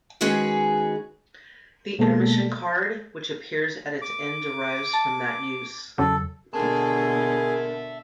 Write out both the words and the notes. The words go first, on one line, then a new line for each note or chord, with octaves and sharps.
The "Intermission" card which appears at its end derives from that use.
D#3 G#3 C#4 F#4 G#4 B4
B2 G#3 A#3 B3 A4
D6
A5
E2 C#3 F#3 A4
B2 D3 G#4 A#4 E5 A5